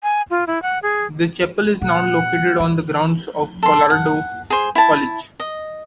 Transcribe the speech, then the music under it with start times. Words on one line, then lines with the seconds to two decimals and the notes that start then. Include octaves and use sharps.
The chapel is now located on the grounds of Colorado College.
0.03 G#5
0.30 F4
0.47 E4
0.62 F#5
0.83 G#4
1.82 A#2 F#5
2.60 E3
3.63 A4 C6
3.90 F#5
4.50 G#4 C5
4.75 E4 A5
5.40 D#5